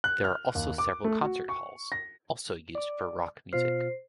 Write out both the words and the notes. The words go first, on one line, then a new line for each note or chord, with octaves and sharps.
There are also several concert halls, also used for rock music.
F#6
F6
D#2
D6
A3
F#4
C#6
A#6
D5 D6
B2 F4 C5 F6 C7